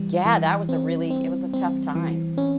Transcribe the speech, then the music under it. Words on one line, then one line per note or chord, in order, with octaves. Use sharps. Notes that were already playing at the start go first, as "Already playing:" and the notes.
Yeah, that was a really it was a tough time.
Already playing: E3 G3
E3
C4
C4
C4
E3
C#4